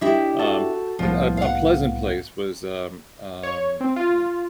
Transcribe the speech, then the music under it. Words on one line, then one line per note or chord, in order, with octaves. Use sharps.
Um, a a a pleasant place was, um, um, uh
D4 E4 G4 D#5 B6
F#4 A4 A5
C2 A2 F3 B3
F5 F#5
C#5
C4
F4